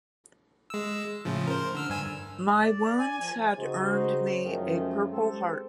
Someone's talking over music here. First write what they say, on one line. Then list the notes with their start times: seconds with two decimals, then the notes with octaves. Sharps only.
My wounds had earned me a Purple Heart.
0.70 G#3 E6
1.25 A2 C#3 F3
1.47 A#4 C5
1.75 D3 E6 F6
1.90 G2 G#5 E6
2.63 D5
2.98 G#5
3.19 F3 G#5
3.58 C#3 C4 D#4 F#4 G#4 C5
4.43 F#2 D#3 F3 G#3 A3 C#4
5.10 G#3 C4 G4 A4 C5